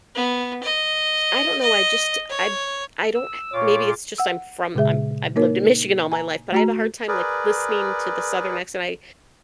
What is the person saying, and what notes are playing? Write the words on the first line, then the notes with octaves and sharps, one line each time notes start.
I don't know, I just I I don't maybe it's just I'm from I'm I've lived in Michigan all my life, but I have a hard time, like, listening to the southern accent. I
B3
D#5
D#5
C#5
E6
A#2 F4 C#5 D6
F#5 E6
A#2 C#3 G#3 G#4 E5
A#3 D#4 A#4 C#5
G#5 A#5
A3 F#4 A#5
G#4 A#4 B4 D5